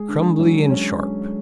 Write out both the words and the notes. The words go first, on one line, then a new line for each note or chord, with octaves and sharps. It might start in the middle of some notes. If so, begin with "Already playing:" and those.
Crumbly and sharp.
Already playing: G#3 G#4
D3
F#3
C#4